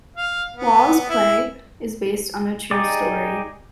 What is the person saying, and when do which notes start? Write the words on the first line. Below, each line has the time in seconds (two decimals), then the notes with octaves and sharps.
Wall's play is based on a true story.
0.16 F5
0.57 B3
1.10 E4
2.71 D#4 G4 G#4 D5